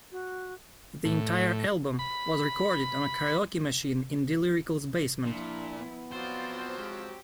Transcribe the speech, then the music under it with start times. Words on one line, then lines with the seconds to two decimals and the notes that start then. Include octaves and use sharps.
The entire album was recorded on a karaoke machine in D-Lyrical's basement.
0.12 F#4
1.05 A2
1.99 B5
5.26 A#2 F3 D4 E4
5.79 B3
6.12 F3 F#3 C4 F4 C5 D5
6.78 G#3 G4